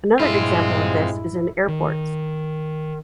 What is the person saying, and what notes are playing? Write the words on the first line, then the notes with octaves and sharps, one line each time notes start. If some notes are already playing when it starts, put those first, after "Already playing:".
Another example of this is in airports.
G2 A#2 G#3 C4 E4 F4
D#3